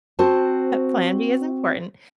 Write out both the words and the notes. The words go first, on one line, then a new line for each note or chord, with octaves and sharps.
plan B is important,
C4 F#4 C5 A5